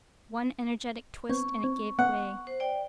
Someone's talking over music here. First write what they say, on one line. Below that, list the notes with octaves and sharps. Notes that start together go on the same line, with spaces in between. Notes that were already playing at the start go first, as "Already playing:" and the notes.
One energetic twist and it gave way.
B3 C4 C#6
C4
B3 F#5
C5
D5 G5